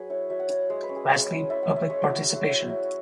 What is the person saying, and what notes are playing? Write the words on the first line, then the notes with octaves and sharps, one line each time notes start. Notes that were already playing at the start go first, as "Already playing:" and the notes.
Lastly, public participation.
Already playing: F#3 G#4 B4
E4 C#5
F#3 E5
F#5
E4 F#5
G#3 C#5
B4
C#4
G#4
G#3 C#5
C#4
E4 E5
F#5
E4
E5
G#3 C#5
F#4
E4
F#4
F#3
E4
F#3